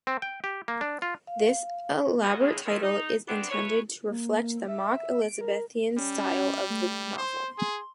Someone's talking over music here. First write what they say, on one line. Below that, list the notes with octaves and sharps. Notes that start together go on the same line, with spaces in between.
This elaborate title is intended to reflect the mock-Elizabethan style of the novel.
C4
G5
G4
A#3
D4
F4
F5
G2 B2 B3 F#4 D#5
A2 C#3 G#3
G#3 A3 C4 C#4 D#4 A#4
D#4
B3 C4 D4
F2 E4 B4 C#5
A#3
E5
D7
A#4
G3 C#4
A3
C5 C6
G#4